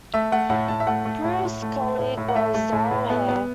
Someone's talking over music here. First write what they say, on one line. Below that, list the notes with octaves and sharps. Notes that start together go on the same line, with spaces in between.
Prue's colleague was Darrell Hair.
A3 E5
A3 F#5
A2 F#5
A2 A5
E5
A3 F#5
A3
A2
A2
A3
A3
A2
A2
F#5
A3 E5
A3
A2
A2
B3
B3